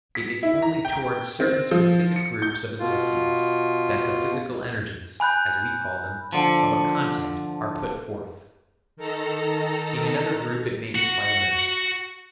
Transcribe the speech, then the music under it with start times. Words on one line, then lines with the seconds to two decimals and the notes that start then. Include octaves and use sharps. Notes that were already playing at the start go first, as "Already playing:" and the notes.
It is only towards certain specific groups of associates that the physical energies, as we call them, of a content are put forth. In another group it may be quite inert.
0.15 B6
0.43 E4
0.62 A#5
0.85 G5
1.40 C4
1.71 F3
2.16 C#7
2.42 G6
2.80 B2 F4
5.20 G#5 B5 F#6 G6
6.33 D3 F3
8.97 D#3 A4 A#5
10.95 F#4 F#5